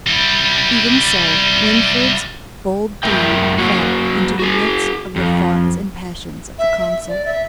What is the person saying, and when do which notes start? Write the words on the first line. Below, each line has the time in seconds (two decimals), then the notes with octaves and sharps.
Even so Winfried's bold deed fell into the midst of the thoughts and passions of the council.
0.07 G3 E4
3.03 F#2 G#3 A#4 E5 G5
3.58 F#3 A#3 F#4
4.39 F#4 G#4
5.16 F2
6.58 E5
6.78 E5
7.08 D5
7.25 E5